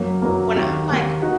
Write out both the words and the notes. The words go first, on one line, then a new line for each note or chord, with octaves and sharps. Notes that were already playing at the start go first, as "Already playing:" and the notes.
when I'm like,
Already playing: F#2 F#3 A#3
F#2 F#3 A#3
D#2 D#3 A#3
D#2 D#3 A#3
D#3 D#4 F#4